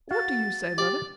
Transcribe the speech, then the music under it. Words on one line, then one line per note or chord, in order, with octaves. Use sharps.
"What do you say, mother?"
F#4 F5 F#5 A6
G4 D5